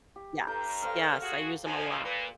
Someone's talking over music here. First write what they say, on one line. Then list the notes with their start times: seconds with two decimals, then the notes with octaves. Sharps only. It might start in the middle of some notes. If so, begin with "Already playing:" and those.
Yes, yes. I use 'em a lot.
0.16 G4
0.47 G2 A4 A#4 A#5 G6
0.82 A4 C5 F5 F6
1.21 F#4 G#4 G5
1.64 D#2 F3 G#5
2.05 A#2 B4